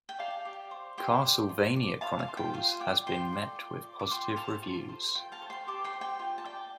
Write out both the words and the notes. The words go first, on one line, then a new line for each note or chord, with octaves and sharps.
"Castlevania Chronicles" has been met with positive reviews.
G5
D5 F5 A5
G4
C5
G4 G5 C6
D5
F4
D5
F4 F5 A5
F5
C5
G5
F4 F5
D5 G5
F4 G5 C6
A4 D5
F4
D5
D6
F4 G5 C6
A4 C5 F5 A5
F4
A4 C5
F4 G5
F5 A5
A4 C5
G5 C6
G4 A5 D6
G5 C6
C5
G5
F4 G5
A5
D5 G5